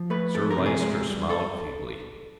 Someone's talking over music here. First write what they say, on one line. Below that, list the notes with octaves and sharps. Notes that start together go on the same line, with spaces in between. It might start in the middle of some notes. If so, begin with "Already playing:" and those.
Sir Lyster smiled feebly.
Already playing: F3
A3 B4
F2 A4
A#4
C3
G#4
G#3
G2
A4